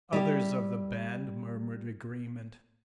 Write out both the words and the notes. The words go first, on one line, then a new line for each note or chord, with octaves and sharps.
Others of the band murmured agreement.
G3 E4 G4